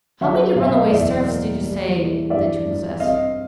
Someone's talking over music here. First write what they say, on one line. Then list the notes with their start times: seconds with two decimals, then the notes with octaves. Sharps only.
How many runaway serfs did you say that you possess?
0.21 F#3 E5 F#5
0.55 B2 F5
0.63 E5
0.71 D#5 F5
0.90 E2 D5 E5
1.26 A#3
1.61 G3
1.96 E3
2.30 G2 D5 E5
2.66 G2
3.00 C4 D#5 F5